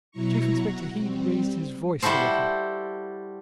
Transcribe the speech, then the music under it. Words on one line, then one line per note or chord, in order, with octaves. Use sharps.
Chief Inspector Heat raised his voice a little.
B2 F#3 E4 A#5 C#6
F#4
G3 C4
G3 E4 F#4 A4 C5